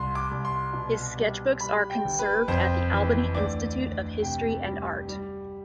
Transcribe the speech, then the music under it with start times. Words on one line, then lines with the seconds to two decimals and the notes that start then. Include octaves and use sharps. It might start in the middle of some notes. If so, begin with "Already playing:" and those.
His sketchbooks are conserved at the Albany Institute of History and Art.
Already playing: C2 C6
0.15 D6
0.31 C2
0.45 C6
0.73 B2
1.17 G3
1.61 G3 B5
1.90 G5
2.05 G1
2.19 B4
2.48 F2 C5
2.91 E3
3.34 D2 D5
3.79 D2
4.22 C3 G5
4.65 G3
5.09 G3